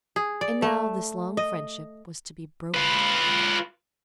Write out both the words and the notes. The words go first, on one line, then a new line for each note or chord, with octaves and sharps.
And now this long friendship was to be broken.
G#4
D5
A3
D#5
F4 B4